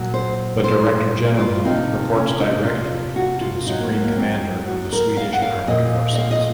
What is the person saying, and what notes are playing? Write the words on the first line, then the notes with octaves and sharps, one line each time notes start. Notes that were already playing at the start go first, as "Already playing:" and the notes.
The director general reports directly to the Supreme Commander of the Swedish Armed Forces.
Already playing: A#2 F#3
C5
C5
F4
C3 F3 D#4
C#4
D#4
F4
F#4
F4
A2 F#3 D#4
A#3
A#3
A#3
C4
F#4
A#4
F5
F#5
F5
A#2 F3 D#5
D#5
F5
D#5